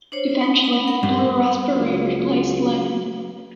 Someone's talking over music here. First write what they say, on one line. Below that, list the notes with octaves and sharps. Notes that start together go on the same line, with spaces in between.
Eventually, blue raspberry replaced lemon.
D4 C5 C#5
A3 D#4
B5
A#4 F#5
G2
C#2 F#3